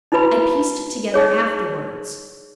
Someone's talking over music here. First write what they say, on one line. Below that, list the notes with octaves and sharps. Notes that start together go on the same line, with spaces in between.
I pieced it together afterwards.
D#4 E4 F#4 B4 B5
D#4 G#4 C#5